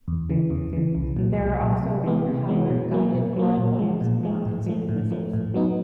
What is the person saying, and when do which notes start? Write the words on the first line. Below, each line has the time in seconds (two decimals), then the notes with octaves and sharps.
There are also unpowered guided glide bombs not considered missiles.
0.08 E2
0.30 C#3 E3
0.50 E2
0.73 C#3 E3
0.95 C2
1.17 A#2 F#3
1.38 C2
1.60 A#2 F#3
1.82 C3
2.04 E3 G#3 B3
2.26 C3
2.48 E3 G#3 B3
2.70 B2
2.91 F#3 A#3
3.14 B2
3.36 F#3 A#3
3.57 A#2
3.79 F3 G#3
4.01 A#2
4.23 F3 G#3
4.46 A2
4.67 F3 A3
4.89 A2
5.11 F3 A3
5.33 A2
5.54 F#3 B3 D#4